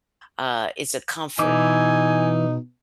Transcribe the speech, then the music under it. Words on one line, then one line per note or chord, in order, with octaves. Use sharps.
uh, it's a comfort,
B2 E3 D#4 G#5 D6